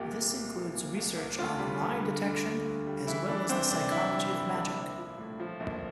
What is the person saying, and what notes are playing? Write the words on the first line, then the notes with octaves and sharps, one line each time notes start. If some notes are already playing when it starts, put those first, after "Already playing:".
This includes research on lie-detection as well as the psychology of magic.
Already playing: C2 A#2 G4
C2
C2
F3
A#2
C2
C2
D2 F4
G3
D3
D3
D3
D2
D2
G3
E3 E4
E3 D4
C2 C4
C3 D4
E3 E4
G3
C2
C2
A#1
F3
A2
F3
A#1